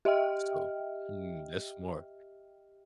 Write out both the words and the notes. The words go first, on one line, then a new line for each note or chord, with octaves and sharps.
So, mm, that's smart.
G4 D#5 E5 G5 F6